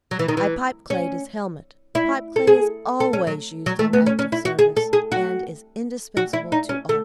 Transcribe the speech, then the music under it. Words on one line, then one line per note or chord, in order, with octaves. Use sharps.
I pipeclayed his helmet,--pipeclay is always used on active service, and is indispensable to Art.
F#3
E3
D#3
E3
C#4
E4
A4
G#4
A4
C#4
F#3
F#3
A3
B3
C#4
C#4
E4
F#4
G#4
A4
G#4
F#4
F#4
E4
D#4
C#4
A3